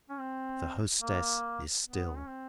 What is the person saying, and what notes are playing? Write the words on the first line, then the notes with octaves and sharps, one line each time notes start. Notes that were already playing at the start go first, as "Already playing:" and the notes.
The hostess is still.
C#4
C4
A#3
B3
C#4
C4